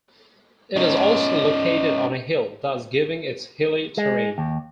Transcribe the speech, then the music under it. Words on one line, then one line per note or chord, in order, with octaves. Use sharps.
It is also located on a hill thus giving its hilly terrain.
C#4 D#4
G#3
D#2